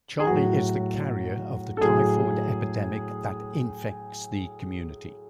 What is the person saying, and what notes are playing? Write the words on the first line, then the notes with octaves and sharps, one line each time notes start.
Charlie is the carrier of the typhoid epidemic that infects the community.
G#4
A2 F#3 F#4
A4
A2 F#3 G#4